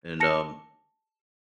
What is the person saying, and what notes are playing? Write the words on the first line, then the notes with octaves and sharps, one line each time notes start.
And um
A5 A#6 C#7